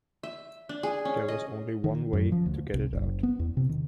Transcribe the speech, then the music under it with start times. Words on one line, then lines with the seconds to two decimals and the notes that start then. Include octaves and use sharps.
There was only one way to get it out.
0.23 E5
0.69 D4
0.83 G#4
1.05 C#4
1.28 D#5
1.84 D#3
2.13 F#2
2.32 F3
2.46 D2
2.74 C2
2.93 F#1
3.23 B3
3.39 E2
3.57 C3
3.69 D#3